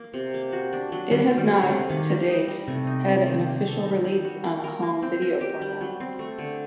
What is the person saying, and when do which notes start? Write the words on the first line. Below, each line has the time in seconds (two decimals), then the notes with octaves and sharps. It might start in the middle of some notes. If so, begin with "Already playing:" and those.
It has not, to date, had an official release on a home video format.
Already playing: A#3
0.14 C3
0.34 A#3
0.52 F#4
0.73 D4
0.92 F#3
1.11 D#3 F#3 G3
1.31 C4
1.37 D#3 G3
1.51 A3
1.63 D3 F#3
1.71 C3
1.89 D#3 A#3
2.09 G3
2.28 D#4
2.48 G3
2.68 C3 A3
2.87 D#4
3.08 C4
3.26 D#3
3.47 A#3
3.66 A4
3.85 D#4
4.04 G3
4.24 F#4
4.44 A#3
4.64 A#4
4.82 A#3
5.03 C4
5.22 A#4
5.41 G4
5.62 G3
5.81 F#3
6.00 C4
6.19 A3
6.39 D3